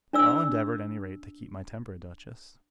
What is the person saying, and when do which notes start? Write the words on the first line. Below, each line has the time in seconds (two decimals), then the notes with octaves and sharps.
"I'll endeavour at any rate to keep my temper, Duchess."
0.13 D4 D5 E6